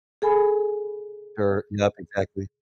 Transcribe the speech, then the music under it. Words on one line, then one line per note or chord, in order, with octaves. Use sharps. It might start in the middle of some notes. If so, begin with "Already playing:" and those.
Ter nup, exactly.
G#4 A4 G#5 B5